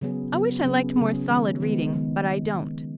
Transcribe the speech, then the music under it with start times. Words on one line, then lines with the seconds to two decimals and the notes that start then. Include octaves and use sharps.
I wish I liked more solid reading; but I don't.
0.01 C#3 F#3 B3 G#4
0.33 C#3 F#3 B3 G#4
0.64 C#3 F#3 B3 G#4
0.96 C#3 F#3 B3 G#4
1.28 D#3 G#3 B3
1.60 D#3 G#3 B3
1.93 D#3 G#3 B3